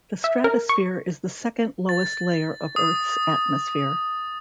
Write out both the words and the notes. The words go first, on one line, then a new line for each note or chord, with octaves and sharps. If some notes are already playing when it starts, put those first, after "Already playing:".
The stratosphere is the second-lowest layer of Earth's atmosphere.
E5
A#4
C#6
A6
D#6